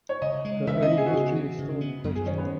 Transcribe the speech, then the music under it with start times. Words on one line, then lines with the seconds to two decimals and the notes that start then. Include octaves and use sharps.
Her early history is still in question.
0.09 C#5
0.22 C#3 D#5
0.45 G#3
0.67 C#3 E5
0.82 D#5
0.89 B3
0.97 G#4
1.06 F#4
1.13 C#3 G#4
1.35 E3
1.58 C#3
1.81 B3
2.04 F#2
2.15 G#4
2.26 D#3 C#4
2.38 B3